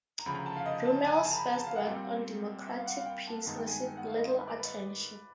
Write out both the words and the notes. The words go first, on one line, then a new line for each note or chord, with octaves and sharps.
Rummel's first work on democratic peace received little attention.
A#5
D2 C#3 F3 B5
A#5
A5
F5
D#5
A5
G#5
G#5
A5
A#5
B5
A#5
A5
F5
F#5
A#2 G3 C4 G5
E5
F5
F#5
F5
G5
A5
G2 D#3 G#3 B3 D#4 A5
G5
G#5
G5
F#5
F5
D#5
C5
B4
D5
B4